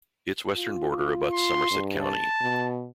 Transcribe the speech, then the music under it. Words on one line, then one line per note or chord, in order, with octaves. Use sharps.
Its western border abuts Somerset County.
F4
C6
G2
A5
B2